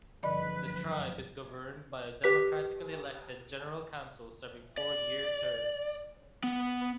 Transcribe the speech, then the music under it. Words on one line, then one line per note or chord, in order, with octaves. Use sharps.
The tribe is governed by a democratically elected general council, serving four-year terms.
F#1 G2 D3 F3 B4 D5 D#5 B5
G4 B4 B6
D5
B3